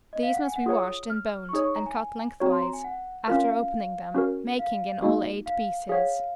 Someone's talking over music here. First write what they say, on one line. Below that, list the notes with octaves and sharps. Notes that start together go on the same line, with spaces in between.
These must be washed and boned and cut lengthwise, after opening them, making in all eight pieces.
D#5
F5
F#5
G#5
F#5
F4 G#4 C#5 F#5 D#6
F6
C#6
D#4 G#4 C#5 D#6
C#6
A#5
G#5
C4 F#4 C#5 A#5
C6
A#5
G#5
F#5
C#4 F4 A#4 F5
C#4 F#4 A#4
F5
A#3 D#4 F#4
F5
G#4 C#5 F5 F#5